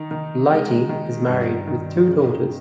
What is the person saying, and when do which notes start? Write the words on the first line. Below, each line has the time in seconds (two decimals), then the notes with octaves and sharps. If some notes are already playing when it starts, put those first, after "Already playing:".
Lighty is married with two daughters.
Already playing: D#3 D#4
0.11 D#3
0.51 G#3
0.89 D#3
1.29 G2
1.67 D#3
2.07 C#3